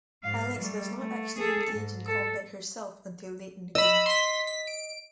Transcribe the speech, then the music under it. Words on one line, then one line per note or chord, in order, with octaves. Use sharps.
Alex does not actually engage in combat herself until late in the game.
G#2 F5
G3 A3
A3
G#4 A4
G#2
A4
D#5 B5 E6
C6 B6
B6
D7